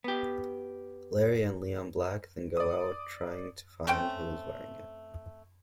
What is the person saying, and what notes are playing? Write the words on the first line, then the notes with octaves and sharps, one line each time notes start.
Larry and Leon Black then go out trying to find who is wearing it.
B3 G4
D5 D#6
A3 C4 C#4 G5